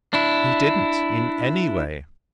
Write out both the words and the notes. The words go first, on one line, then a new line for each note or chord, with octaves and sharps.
"He didn't--in any way."
D4 E4